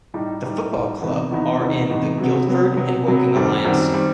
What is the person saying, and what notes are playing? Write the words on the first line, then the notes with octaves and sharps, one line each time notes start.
The football club are in the Guildford and Woking Alliance.
A2 G3 D#4
A2 G3 D#4
A2 G3 D#4
E2 C3 E3 B3 D#4
E2 C3 E3 B3 D#4
E2 C3 E3 B3 D#4
E2 C3 E3 B3 D#4
C3 F#3 B3
C3 F#3 B3
C3 F#3 B3
C3 F#3 B3
F#2 D#3 G3 C4
F#2 D#3 G3 C4
D#3 G3 C4